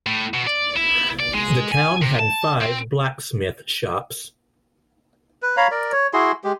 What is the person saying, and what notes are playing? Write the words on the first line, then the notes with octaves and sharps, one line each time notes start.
The town had five blacksmith shops.
A2
B2
D5
E4
D5
G#3
G#5
C3
A5
C4
B4
C#5 F5 A#5 B5
A#4 D5
C#5
E4 F#4 G#4 C6
G#3 G4